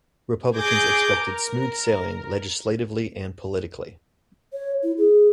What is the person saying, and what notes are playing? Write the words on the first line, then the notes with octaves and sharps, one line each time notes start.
Republicans expected smooth sailing legislatively and politically.
G#4 D6 G6 G#6 A#6
A#4
C#5
E4
G#4